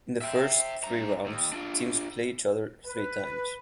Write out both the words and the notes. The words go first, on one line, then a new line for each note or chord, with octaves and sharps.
In the first three rounds teams play each other three times.
E5 G5
G2 A#5
D#2
D4 F4
B4